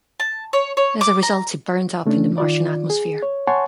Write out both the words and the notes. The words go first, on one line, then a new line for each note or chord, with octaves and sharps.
As a result, it burned up in the Martian atmosphere.
A5
C#5
C#5
D6
A#5
C#3 A3 C#4 D4
D#3 F4 D5
G#4
C#5
C#5 F#5 G#5 A5 C6 C#6